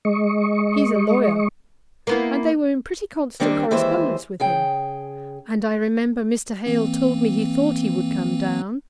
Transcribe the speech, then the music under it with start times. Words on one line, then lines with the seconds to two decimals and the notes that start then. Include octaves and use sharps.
He's a lawyer, and they were in pretty constant correspondence with him; and I remember Mr. Hale told me he thought he would come down.
0.05 G#3 D#5 C#6
2.07 A#3 B3 E4
3.40 D#3 G3 A#3 C4 D4
3.71 D#2 E3 G#3 C5 E5
4.40 C#3 G#4 G5
6.66 E3 A#3 C4